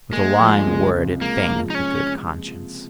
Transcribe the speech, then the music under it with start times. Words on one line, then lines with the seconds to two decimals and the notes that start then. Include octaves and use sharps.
With a lying word it feigneth a good conscience.
0.12 G#3 A#3
0.40 F3
0.67 C#2
0.94 C3
1.21 G#3 A#3
1.48 F3
1.70 D#4
1.75 C#4